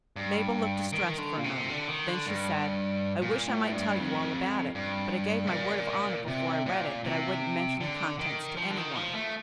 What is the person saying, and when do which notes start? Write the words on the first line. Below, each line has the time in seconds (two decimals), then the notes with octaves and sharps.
Mabel looked distressed for a moment then she said, "I wish I might tell you all about it, but I gave my word of honor before I read it that I wouldn't mention the contents to any one."
0.16 G2
0.92 D#3
1.18 D3
1.37 A#2
1.44 C3
1.69 D3
1.88 D#3
2.08 D3
2.26 G2
3.22 A#2
3.48 A2
3.73 G2
3.98 F2
4.75 G2
5.47 C3
5.51 A#2
6.28 C3
6.66 A#2
7.04 C3
7.80 D3
8.19 D#3
8.57 F3
8.70 D3
8.77 D#3
8.95 F3
9.14 A3